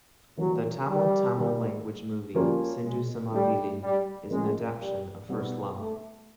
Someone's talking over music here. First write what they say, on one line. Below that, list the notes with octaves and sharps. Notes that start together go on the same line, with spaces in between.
The Tamil Tamil language movie "Sindhu Samaveli" is an adaptation of "First Love".
E3 F#3 G3 A#3 D4
G3
D#3 G3 A#3
F3 G3 A#3 C#4 F4
G#3
G3 A3 D4 G4
G3
F3 G#3 A#3 C#4
G3
B2 G3 B3 D#4
A3